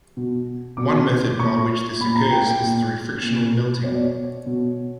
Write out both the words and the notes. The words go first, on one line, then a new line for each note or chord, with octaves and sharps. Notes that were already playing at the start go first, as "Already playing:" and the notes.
One method by which this occurs is through frictional melting.
B2
B2 D6
A#2 C#6
A#2 B5
A#5
G5
G5
A#2
A#2
B2 C#5
D5
C#5
B2